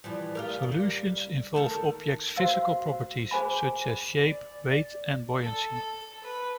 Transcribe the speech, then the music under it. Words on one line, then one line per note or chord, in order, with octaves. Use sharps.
Solutions involve objects' physical properties, such as shape, weight, and buoyancy.
E3 F3 G3
F4 G4 A#4
G3
D#3 A4 A#4
F#4 C5 F5 E6
G#4 C5 G#5 B5
D5
A4
A4
B4